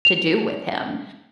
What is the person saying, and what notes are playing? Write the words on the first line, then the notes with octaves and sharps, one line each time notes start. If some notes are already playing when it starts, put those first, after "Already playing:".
to do with him,
F7